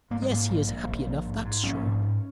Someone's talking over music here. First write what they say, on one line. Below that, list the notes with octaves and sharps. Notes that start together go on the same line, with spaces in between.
Yes, he is happy enough, that's sure!
G#2 A#3
G#3
G#2 A#3
A#1
A#1
A#1
A#1
G#2
G#2
A#1 C#4
G#2
G#2